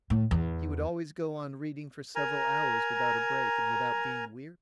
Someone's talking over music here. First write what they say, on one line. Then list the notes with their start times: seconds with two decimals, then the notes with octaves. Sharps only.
He would always go on reading for several hours without a break and without being weary.
0.10 A2
0.31 E2
2.15 A#4 G#5 A#5